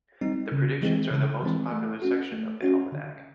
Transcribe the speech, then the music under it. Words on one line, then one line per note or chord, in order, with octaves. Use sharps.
The predictions are the most popular section of the "Almanac".
G3 C4 D#4
C#3
E3 G#3 C4
C#3
E3 G#3 C4
A3
C#4 F#4
A3
C#4 F#4
D3